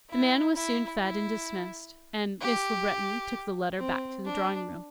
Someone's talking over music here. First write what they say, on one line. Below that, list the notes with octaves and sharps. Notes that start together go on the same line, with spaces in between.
The man was soon feed and dismissed, and Miss Le Breton took the letter back to the drawing-room.
E4
E4
E4
G4
C4
D4